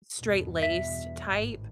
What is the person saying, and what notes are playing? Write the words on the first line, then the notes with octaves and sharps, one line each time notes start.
straight-laced type,
E2 G2 B2
E5 B6
G#1 A2